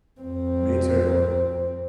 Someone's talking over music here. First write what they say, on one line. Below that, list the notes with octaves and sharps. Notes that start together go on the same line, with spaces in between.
me too.
F2 C4